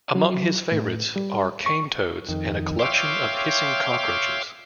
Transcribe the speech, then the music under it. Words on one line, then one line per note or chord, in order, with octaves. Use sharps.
Among his favourites are cane toads and a collection of hissing cockroaches.
F#3
A2
G3
C#6
F2 D#3
C#5 E5 F5 G5 C6 D6